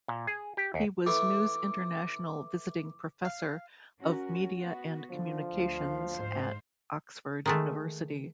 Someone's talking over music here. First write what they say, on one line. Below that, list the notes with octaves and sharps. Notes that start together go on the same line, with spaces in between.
He was News International Visiting Professor of Media and Communications at Oxford University.
A#2
G#4
G4
D#2
E3 A3 E4 D6
F5
C#4 F#4 A#4
B3 F#4
D3 F3
D2 F5
G#2 C5 F5
D#3 G#3 A3